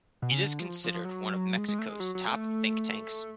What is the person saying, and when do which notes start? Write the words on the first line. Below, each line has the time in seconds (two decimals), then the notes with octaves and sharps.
It is considered one of Mexico's top think tanks.
0.22 B2
0.32 C#3
0.45 D3
0.60 F3
0.84 F3
0.94 F3
1.05 F#3
1.58 G#3
1.68 G#3
1.79 A3
1.89 G#3
2.00 F#3
2.15 F#3
2.28 A3